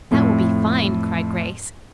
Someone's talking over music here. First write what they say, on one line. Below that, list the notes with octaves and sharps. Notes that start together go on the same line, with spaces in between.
"That will be fine," cried Grace.
F2 A2